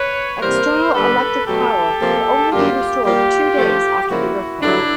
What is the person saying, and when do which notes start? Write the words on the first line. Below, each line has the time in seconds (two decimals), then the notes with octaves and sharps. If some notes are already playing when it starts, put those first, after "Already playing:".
External electric power could only be restored two days after the earthquake.
Already playing: B4 C#5
0.41 C3 E3 G3 A#3 A#4 C5
0.94 G2 D3 G3 A#3 A4 B4
1.46 B2 F#3 A3 G4 A4
2.00 C3 F3 A#3
2.51 F#2 D3 G3 A#3 F4 G4
3.04 A#2 G3 A#3 F4 G4
3.57 C3 F3 A3
4.09 C#3 F3 A#3 E4 F#4
4.62 G2 D3 F#3 D4 E4